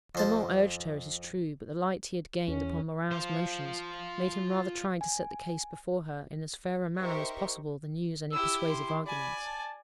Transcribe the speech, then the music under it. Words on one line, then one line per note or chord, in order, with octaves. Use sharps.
Clement urged her, it is true; but the light he had gained upon Morin's motions, made him rather try to set the case before her in as fair a manner as possible than use any persuasive arguments.
F2 C5 A5
E2 C#4
F4 C5
G#5
D#4 G4 A#4 C5 E5 C#6
E4 G4 E6
C6
D5 G#5 B5
A5